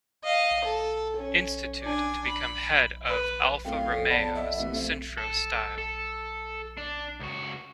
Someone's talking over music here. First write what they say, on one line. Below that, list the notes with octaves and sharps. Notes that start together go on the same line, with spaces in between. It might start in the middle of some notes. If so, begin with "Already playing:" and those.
Institute to become head of Alfa Romeo's Centro Stile.
D#5 F5
A4
C#4
D4 G#5
B5
B4
F#2 A2 C4 F4 F5 G5
F2 C#4 A4
B3 D5 F#5 A5 B5
D#5 E5
A1 D#2 B2 C4 D#5
F3 A3 C4
A4
A4
D4
C#2 F#4